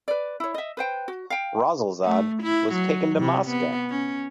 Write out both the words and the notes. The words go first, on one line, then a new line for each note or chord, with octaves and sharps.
Rasulzade was taken to Moscow.
B4 D5
E4 C#5
D#5 E5
B4 C5 G5
F#4
F5 G5
A3
E4
F#3
C3
B3
C#4